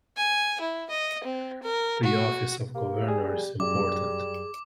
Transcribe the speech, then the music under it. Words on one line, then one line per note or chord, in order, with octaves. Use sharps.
The office of Governor is important.
G#5
E4
D#5
C4
A#4
F#4
A#3 G4
G3 G#4
F#2 G3 G#4 D6